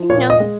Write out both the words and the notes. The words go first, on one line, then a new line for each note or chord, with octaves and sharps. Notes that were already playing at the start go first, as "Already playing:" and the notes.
You know
Already playing: F3
A#2 C#5
D#5
G#3